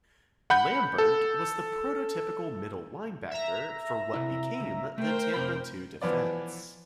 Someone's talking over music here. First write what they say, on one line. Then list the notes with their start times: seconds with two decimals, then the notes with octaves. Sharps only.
Lambert was the prototypical middle linebacker for what became the Tampa Two defense.
0.50 F#5 B5 G6
0.98 A4
3.31 E5 A#5
4.14 C3 E4
4.60 C#2
4.98 A3 A#4 C5 G5
5.34 F2 C3 B5
6.01 E3 F3 B3 D5